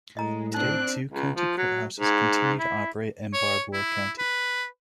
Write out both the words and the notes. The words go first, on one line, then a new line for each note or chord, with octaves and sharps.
Today, two county courthouses continue to operate in Barbour County.
A2 G#3 D#5 A#5
C4 D4 D#4 F#6
C#2
F3
F#3
G#2
E4
C#5
E4
B4